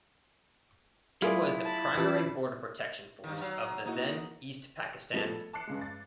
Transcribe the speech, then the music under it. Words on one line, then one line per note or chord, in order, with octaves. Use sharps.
It was the primary border protection force of the then East Pakistan.
F#3 E4 F4 G#4 D5
A5 B5
E3 C#4 F4 G4
G2 D#3
F#3 F6
A#3 D#4 E4 F#4
F3 G3 B3 A4
A4
A5 D6 F#6 C7 C#7
G2 C#3 G#3
A6